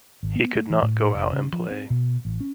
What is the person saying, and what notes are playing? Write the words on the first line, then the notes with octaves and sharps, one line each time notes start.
He could not go out and play.
G#1
B3
A3
E3
A2
F1
C#3
F3
C4
B2
A1
C#4